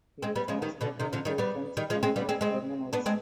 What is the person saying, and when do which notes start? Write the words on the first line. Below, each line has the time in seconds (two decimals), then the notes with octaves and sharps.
He translated into French numerous German works.
0.23 G#3 C4
0.36 G3 B3
0.48 F3 G#3
0.62 D#3 G3
0.81 B2 D3
1.00 C3 D#3
1.13 D3 F3
1.25 D#3 G3
1.38 G3 B3
1.77 D#3 G3
1.90 F3 G#3
2.03 G#3 C4
2.16 G3 B3
2.29 G#3 C4
2.41 G#3 C4
2.93 B3 D4
3.06 G#3 C4